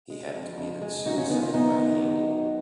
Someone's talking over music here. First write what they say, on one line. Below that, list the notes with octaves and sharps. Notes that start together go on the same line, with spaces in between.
He had committed suicide by hanging.
G#3
F2
F2
G#3
F#2 D#4 F#4
C#4 F4
D#3 B3 D#4
C#4 F4
F#2 B3 D#4
D#3
F#3
F#2